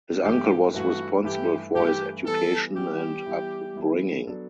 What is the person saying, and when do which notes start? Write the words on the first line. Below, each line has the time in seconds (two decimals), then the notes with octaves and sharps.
His uncle was responsible for his education and up bringing.
0.23 G2 E3 A3 E4 G4 B4
0.73 G2 E3 A3 E4 F#4 B4
1.24 G2 E3 A3 E4 G4 B4
1.75 G2 E3 A3 E4 G4 B4
2.26 E3 G3 B3 E4 A4
2.76 E3 G3 B3 E4 G4
3.26 E3 G3 B3 E4
3.77 E3 G3 B3 E4
4.27 F#3 B3 D4 A4